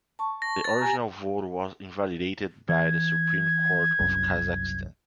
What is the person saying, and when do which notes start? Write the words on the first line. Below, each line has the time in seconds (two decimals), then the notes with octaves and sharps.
The original vote was invalidated by the Supreme Court of Kazakhstan.
0.19 A5 C#6
0.42 A#6
0.64 A6
0.79 G4 G#5 A#5
2.69 E3 G#6
3.99 F#1 C2 F#2